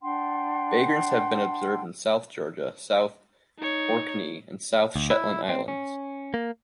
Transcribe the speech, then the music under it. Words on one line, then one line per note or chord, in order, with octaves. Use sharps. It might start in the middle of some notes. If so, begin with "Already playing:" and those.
Vagrants have been observed in South Georgia, South Orkney and the South Shetland Islands.
D4 F#5 G5 C6
D#4 C#5
D2
E4
C4
C#4
A#3